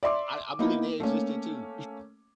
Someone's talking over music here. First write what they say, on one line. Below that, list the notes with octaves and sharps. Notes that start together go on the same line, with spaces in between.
I I believe they existed, too.
D5 E5 C6 D6
A#3 B3 D#4 E4
A3 A#3 C#4